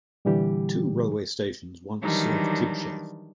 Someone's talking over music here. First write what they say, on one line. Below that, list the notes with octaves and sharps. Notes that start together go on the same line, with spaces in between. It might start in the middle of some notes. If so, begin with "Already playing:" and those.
Two railway stations once served Tibshelf.
A#2 D3 E3 G3 G4
D#3 E3 F#3 G3 D4 D#4